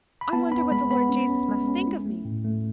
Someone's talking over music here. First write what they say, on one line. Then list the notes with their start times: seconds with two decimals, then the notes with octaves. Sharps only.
I wonder what the Lord Jesus must think of me.
0.21 B5
0.33 B3 A5
0.52 B3 B5
0.71 G#3 B5
0.90 B3 B5
1.09 C#4
1.30 C#4
1.48 G#3
1.68 C#4
1.87 E4
2.06 A3
2.25 A2
2.44 A3